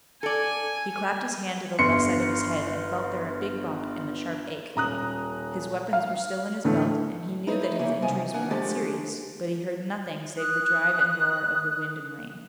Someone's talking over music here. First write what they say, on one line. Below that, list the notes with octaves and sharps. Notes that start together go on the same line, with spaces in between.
He clapped his hand to the left side of his head, and felt there a big bump and a sharp ache. His weapons were still in his belt and he knew that his injuries were not serious, but he heard nothing save the drive and roar of the wind and rain.
A4 D5 G#5
G1 C6 C#7
D#1 A#5 D#6 F#6
F5
D2 A2 D3 E3 A3
D#4 E4 B4 C#5 D#5
C#3 E3 A#3 G4 C#5
D#2 C3 F3 D#5 G#5
A#3 D4 A#4 F#5 G#5
D3 F3 G#3 A3 G4 A4
D#6 F#6